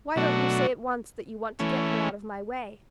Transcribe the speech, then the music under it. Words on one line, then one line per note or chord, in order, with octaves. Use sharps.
Why, don't you say at once that you want to get her out of my way?
B2 F#3 A3 D4 F#4
E3 A3 C#4